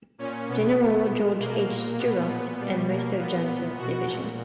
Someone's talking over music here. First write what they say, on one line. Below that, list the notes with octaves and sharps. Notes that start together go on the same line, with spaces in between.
General George H. Steuart, and most of Johnson's division.
A#2 C#4
B2 B3
B2
A#2
B2 A#3
A#2
B2 B3
A#2 B3
B2 G3
B2 A#3
A#2 B3
A#2
B2 F#4
A#2